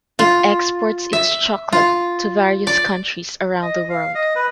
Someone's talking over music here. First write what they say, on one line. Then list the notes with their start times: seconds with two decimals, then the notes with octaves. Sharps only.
It exports its chocolate to various countries around the world.
0.19 F4
1.13 E5
1.72 F4
2.67 D5
3.62 D#5
3.90 F5
4.15 D#5
4.36 B4